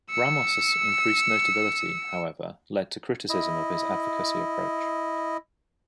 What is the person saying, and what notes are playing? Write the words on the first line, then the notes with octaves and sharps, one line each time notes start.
Ramos' increased notability, however, led to criticism of his advocacy approach.
E6 C#7
E4 D#5